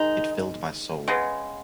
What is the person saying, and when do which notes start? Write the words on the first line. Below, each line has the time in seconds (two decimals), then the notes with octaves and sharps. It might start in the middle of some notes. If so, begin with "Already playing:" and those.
It filled my soul.
Already playing: D#3 G#3 D#4
1.08 C#3 G#3 B3